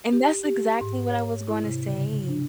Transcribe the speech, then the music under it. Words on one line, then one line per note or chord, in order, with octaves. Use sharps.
And that's exactly what I was gonna say.
G4
G4
G#2
C#5
E4
C3
C#3
D4